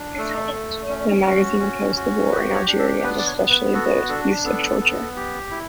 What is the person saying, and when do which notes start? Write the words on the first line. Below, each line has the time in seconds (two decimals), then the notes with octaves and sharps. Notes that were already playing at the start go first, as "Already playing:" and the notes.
The magazine opposed the war in Algeria, and especially the use of torture.
Already playing: D4
0.18 A3 A4
0.54 A3
0.89 C#4
1.25 F#4
1.60 C#4
1.96 F#4
2.32 G4 B4
2.55 C#5
2.68 D4
2.79 A4
3.03 B3 B4
3.19 D5
3.26 C#5
3.38 B3
3.50 B4
3.74 F#4 A4
4.09 D4 A4
4.45 B3 A4
4.81 B3
5.17 G4
5.51 E4